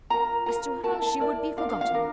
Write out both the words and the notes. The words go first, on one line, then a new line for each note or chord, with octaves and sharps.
As to her she would be forgotten.
F4 A#4 A#5
F4 A#4 A#5
E4 A#4 A5
A5
E4 A#4 D5
D4 F4 A#4 F5
F5
F5
D4 F4 A#4